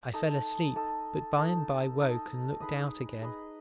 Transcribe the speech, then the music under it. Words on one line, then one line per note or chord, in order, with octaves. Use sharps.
I fell asleep, but by and by woke and looked out again.
D#4 A4 D#5
D#4 A4 D#5
D#4 A4 D#5
D#4 A4 D#5
D#4 G#4 B4 D#5
D#4 G#4 B4 D#5